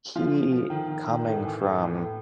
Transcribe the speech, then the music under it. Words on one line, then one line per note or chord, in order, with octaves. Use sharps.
he coming from,
F3 F4
F3
F3
D#3
D#3
D#3
A2
E3
A2
E3
A2